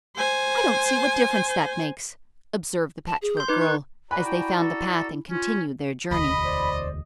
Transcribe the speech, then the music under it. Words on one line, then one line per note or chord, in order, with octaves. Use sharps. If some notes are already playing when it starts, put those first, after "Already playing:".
"I don't see what difference that makes," observed the Patchwork Girl, as they found the path and continued their journey.
C5 G#5
A5
G#4
C6 G6
D#4 B4 D6
C#6 F#6
F#4 B4 D5 G#5 A#5 B5
E4 G5
A4
C#4 F4
E1 D2 D#5 B5
C5 D5